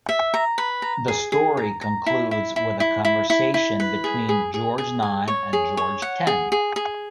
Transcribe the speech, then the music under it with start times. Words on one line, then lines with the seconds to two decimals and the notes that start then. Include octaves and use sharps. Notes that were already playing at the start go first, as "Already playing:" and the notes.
The story concludes with a conversation between George Nine and George Ten.
0.09 E5
0.34 A#5
0.58 B4
0.82 A#5
1.08 G#4
1.32 G#4
1.57 A#5
1.81 A#5
2.06 E4
2.31 E4
2.56 E4
2.80 E4
3.05 E4
3.30 E4
3.54 E4
3.80 B4
4.04 G#4
4.29 G#4
4.54 G#4
4.78 G#4
5.03 G#5
5.28 C#5
5.53 G#4
5.77 C#5
6.02 F#5
6.27 G#4
6.52 G#4
6.76 G#4